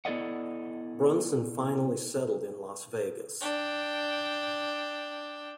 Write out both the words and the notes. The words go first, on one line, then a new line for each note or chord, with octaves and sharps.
Brunson finally settled in Las Vegas.
B3 E4 A4 D5 D#5 F#5
D4 G5